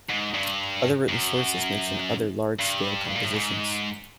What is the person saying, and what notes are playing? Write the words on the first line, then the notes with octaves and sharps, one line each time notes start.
Other written sources mention other large-scale compositions.
G#2
G2
F#2
G2
A#2
A2
G#2